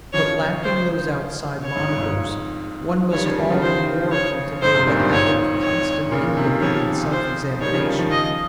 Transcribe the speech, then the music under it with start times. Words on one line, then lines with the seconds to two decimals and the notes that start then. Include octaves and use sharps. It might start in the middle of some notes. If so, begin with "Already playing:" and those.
But lacking those outside monitors, one must all the more cultivate the habit of constant inlooking and self-examination.
0.13 C#3 F3 C#5
0.64 C5
1.63 C#5
1.75 F2 G#2
1.88 G2
2.00 F2 G#2
3.12 D#3 G3 C#5
3.25 C#3 F3
3.37 D#3 G3
3.50 C#3 F3
3.63 C5
4.12 C#5
4.62 F2 G#2 C5
4.74 G#2 C3
4.87 G2 A#2
4.99 G2
5.12 F2 G#2 C#5
5.62 C#5
6.11 A#2 C#3
6.37 C3 D#3
6.61 C#3 F3 C#5
7.12 C5
7.61 D#3 G3 C#5
7.74 C#3 F3
7.85 D#3 G3
7.98 C#3 F3
8.11 D#5